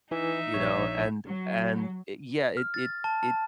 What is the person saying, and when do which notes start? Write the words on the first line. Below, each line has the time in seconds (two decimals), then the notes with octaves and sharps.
you know, and and, it yeah, it it it
0.11 E3 D#4 E5
0.54 A#1 C#5
1.26 F#3
2.57 F6
2.74 A6
3.04 A5
3.23 A5